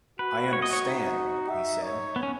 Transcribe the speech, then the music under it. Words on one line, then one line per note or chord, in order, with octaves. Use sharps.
I understand,” he said.
F#4 B4
C#5
D#5
C#5
D#4
E5
C#5
B3
C#4